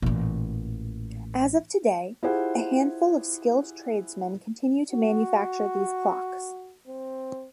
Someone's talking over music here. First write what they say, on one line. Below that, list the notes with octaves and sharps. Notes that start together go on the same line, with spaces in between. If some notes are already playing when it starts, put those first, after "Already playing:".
As of today, a handful of skilled tradesmen continue to manufacture these clocks.
A1 A#2
E4 F4 G4 G#4 C5 F#5
F#4
C4